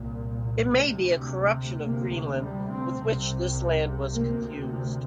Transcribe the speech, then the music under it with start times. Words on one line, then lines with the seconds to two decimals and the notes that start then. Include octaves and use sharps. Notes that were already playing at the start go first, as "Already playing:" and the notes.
It may be a corruption of 'Greenland,' with which this land was confused.
Already playing: C2 A#2
0.68 D2 C3
1.83 D2 C3 A#3
2.41 G3
2.70 C4
2.99 C2 C3
4.14 D2 C3 A#3